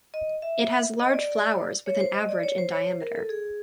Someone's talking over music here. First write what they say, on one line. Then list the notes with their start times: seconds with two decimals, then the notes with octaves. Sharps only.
It has large flowers with an average in diameter.
0.14 D#5
0.42 E5
1.00 D#5
1.14 D5
1.86 C#5
2.00 C5
2.14 D#5
2.29 D5
2.43 C#5
2.58 C5
2.72 C#5
2.87 C5
3.01 A#4
3.16 A4
3.29 G#4